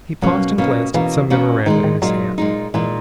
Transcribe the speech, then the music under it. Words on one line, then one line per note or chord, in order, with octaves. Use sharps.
He paused and glanced at some memoranda in his hand.
B2 F#3 A#3 C#4
B2 A#3 C#4
B2 E3 A#3 C#4
B2 A#3 C#4
A#2 D#3 G#3 D#4
D#3
A#2 F#3 G#3 D#4
A#2 G#3 D#4
A#2 E3 G#3 D#4